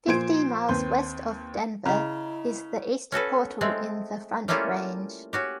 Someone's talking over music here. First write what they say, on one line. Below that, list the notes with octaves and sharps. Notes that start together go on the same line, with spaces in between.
Fifty miles west of Denver is the East Portal in the Front Range.
A#2 F3 C5 G#6 D7
D#2 C4 B4 C6 G6
C#3 E4 D#5 A#5
C#4 F#4 A4 B4
G#3 A3 C4
G3 A3 A#3 C#4 E4 F4
C#4 F#4 G4